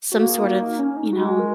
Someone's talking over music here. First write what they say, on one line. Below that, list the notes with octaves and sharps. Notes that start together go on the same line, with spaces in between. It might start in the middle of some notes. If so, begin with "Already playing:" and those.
some sort of, you know
A#3 F#4
G#4
D#4
F#4
D#4
C#4
D#4
G#3 F#4
A#4